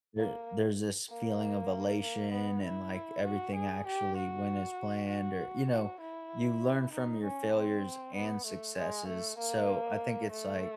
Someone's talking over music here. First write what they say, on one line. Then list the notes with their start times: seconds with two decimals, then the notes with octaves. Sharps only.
there there's this feeling of elation and, like, everything actually went as planned or you know, you learn from your failures and successes. So, I think it's, like,
0.18 A#3
1.10 A#3
2.02 A#3
2.33 B3
2.63 E4
3.24 F#4
3.55 G#4
3.86 G4
4.17 F#4
5.09 F#4
5.70 F#4
6.01 E4
6.93 D#4
7.24 C#4
7.54 C4
8.16 B3
8.46 A3
8.78 G#3
9.08 A3
9.38 A#3
10.31 A3